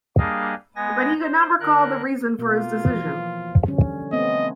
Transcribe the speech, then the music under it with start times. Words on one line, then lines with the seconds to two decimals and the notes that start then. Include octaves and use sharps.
But he could not recall the reason for his decision.
0.18 G3 A#3 D4 G#4 D#5 F5
0.76 G#3 B3 G#5 A#6
1.20 C5
1.60 D3 A#4 F#6
2.39 B2 A#3 F4
2.89 E3 F3
3.66 D3 G3 C#4
4.13 A3 B3 C4 D#5